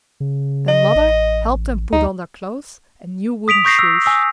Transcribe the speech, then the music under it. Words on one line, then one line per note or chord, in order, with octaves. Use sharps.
Their mother helped them put on their clothes and new wooden shoes.
C#3
D#5
A1
D2 D#4
D#6 B6 D7 F7
C#6 G6 A#6 C7
E6
G#5 E6